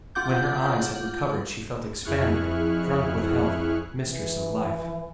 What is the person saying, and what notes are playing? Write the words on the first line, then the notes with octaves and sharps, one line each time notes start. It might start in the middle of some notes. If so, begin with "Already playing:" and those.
When her eyes had recovered she felt expanded, drunk with health, mistress of life.
F4 F#5 D6 G6
F2 E4 G#4 C#6 F6 F#6
E3